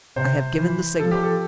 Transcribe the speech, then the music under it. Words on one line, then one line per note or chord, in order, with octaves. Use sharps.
"I have given the signal."
C3 C5
E3
F3 A4
G4
A4